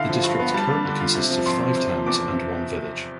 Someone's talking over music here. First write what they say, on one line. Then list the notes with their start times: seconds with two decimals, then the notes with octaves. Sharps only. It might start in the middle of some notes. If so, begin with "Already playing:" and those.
The district currently consists of five towns and one village.
Already playing: D3 E4 F5
0.09 F3
0.23 G2
0.39 B3
0.54 G3 A5
0.70 D4
0.85 D3
1.00 F4
1.15 C3
1.30 F3
1.46 F2 C6
1.61 C4
1.76 C3
1.92 F3
2.06 E2 D6